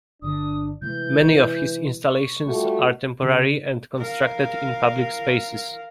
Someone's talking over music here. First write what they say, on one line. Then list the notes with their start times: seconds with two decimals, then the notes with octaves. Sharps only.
Many of his installations are temporary and constructed in public spaces.
0.22 G1 D3 D4 D#6
0.82 C3 E3 G#3 A3 G6
2.05 C#6
2.47 G3 A3 F4 F#4
3.23 C#3
3.98 A#4 F5